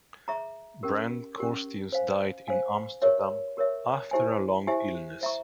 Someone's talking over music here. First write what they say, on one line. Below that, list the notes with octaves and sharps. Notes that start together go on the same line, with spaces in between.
Brandt Corstius died in Amsterdam after a long illness.
G#4 E5 A#5 C#6
C#4 G4 A#4
C#4 G4 A#4
C5 F5 G#5
C5 F5 G#5
G4 A#4 C#5 E5
G4 A#4 C#5 E5
E4 G4 C5 E5 G#5
E4 G4 C5 E5 G#5
C5 E5 A#5 C#6